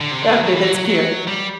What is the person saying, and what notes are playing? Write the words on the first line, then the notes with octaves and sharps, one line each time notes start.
Okay. That's cute.
D3
C3
D3
F#3
F#3
E3
F#3
F#3
F#3
G3